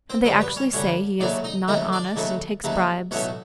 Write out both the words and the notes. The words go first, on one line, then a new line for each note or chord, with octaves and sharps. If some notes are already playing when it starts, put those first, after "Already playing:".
And they actually say he is not honest and takes bribes.
C4 C5
F#2 D3 G3 C4 C5
B3 B4
C#4 C#5
F#2 D3 G3 C#4 C#5
D#2 C#3 F#3 A3 D4 D5
D#4 D#5
D#2 C#3 F#3 A3 D#4 D#5
D4 D5
D#2 C#3 F#3 A3
D#2 C#3 F#3 A3
B1 A2 F#3 A3 C#4 C#5